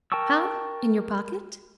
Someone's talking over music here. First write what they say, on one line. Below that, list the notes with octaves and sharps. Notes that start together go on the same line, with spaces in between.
"How--in your pocket?"
A#4 G5 A5 C#6 E6